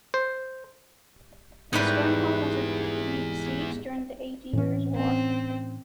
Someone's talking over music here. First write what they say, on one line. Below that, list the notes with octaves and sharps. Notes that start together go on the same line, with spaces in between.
The stronghold was repeatedly besieged during the Eighty Years' War.
C5
G#2 G3 B3 E4 B4
A2 E3 C#4
C4